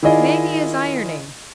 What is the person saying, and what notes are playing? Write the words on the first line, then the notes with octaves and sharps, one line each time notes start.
"Maggie is ironing."
D#3 E4 F4 G#4 D5 D#5